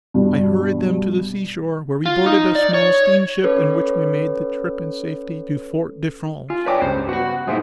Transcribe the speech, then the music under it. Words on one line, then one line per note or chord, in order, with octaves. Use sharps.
I hurried them to the seashore, where we boarded a small steamship, in which we made the trip in safety to Fort de France.
G2 B2
F4
D#4
D5
C#5
C#4 A4 B4 C#5
F4 G#5
B4 C#5 D5 G5 A5 D6
C#2 G2 C#3 C5
B3 F#4 F#5
G2 A#2 D#4 E4 G#4 C5